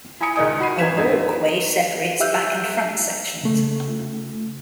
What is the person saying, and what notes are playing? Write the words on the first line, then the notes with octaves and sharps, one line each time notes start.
A walkway separates back and front sections.
E4 G#5 A#5 D#6 C#7 D7
C#2 D#3 D#4 D#6
F#4 B5 C7 D#7
G#1 G#6 B6 E7
F2 D3 D#4
G4 E5 E6 F#6 G6
C#3 A3